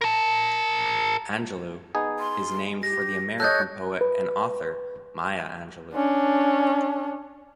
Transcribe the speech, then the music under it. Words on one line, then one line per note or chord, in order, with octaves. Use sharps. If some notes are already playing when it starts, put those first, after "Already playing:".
Angelou is named for the American poet and author Maya Angelou.
A#4 A5
B3 D#4 G#4
C6
G4 A#6
A4 C#5 D#5 F#6 G6 A6
B4
C#4 D4